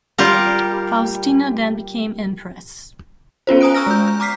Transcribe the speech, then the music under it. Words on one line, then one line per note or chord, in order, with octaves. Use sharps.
Faustina then became empress.
G3 F4 G4 A#4
B3 C#4 F4 C5
G#5 A#5 D#6 F#6 D7
A#5 C#6 E6 F6 A#6
G#3 G6
G6
A#5 D6 F6 B6 C7